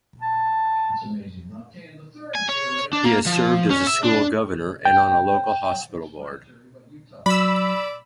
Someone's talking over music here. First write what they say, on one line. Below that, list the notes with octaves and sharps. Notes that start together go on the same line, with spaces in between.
He has served as a school governor, and on a local hospital board.
A5
G#5
C#5
D4
A#3
F3
C#4
E5
D4
G5
F#3 D5 B5 E6